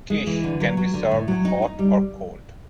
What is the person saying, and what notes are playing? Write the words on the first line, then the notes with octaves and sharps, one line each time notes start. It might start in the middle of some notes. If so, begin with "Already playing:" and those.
Quiche can be served hot or cold.
G#3
E3
D3
F#3
F#3
D3
A2
F#3
D#4
D#4
G3